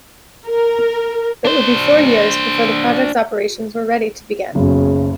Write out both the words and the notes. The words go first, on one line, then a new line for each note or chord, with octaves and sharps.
It would be four years before the project's operations were ready to begin.
A#4
D4 C5
F#1 B1 F#2 C#3